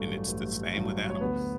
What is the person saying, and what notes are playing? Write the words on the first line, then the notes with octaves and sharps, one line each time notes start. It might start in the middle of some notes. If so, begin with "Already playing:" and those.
and it's the same with animals,
Already playing: A1 G2 F#3 A3
A1
G2 F#3
C#5
D2 B3 B4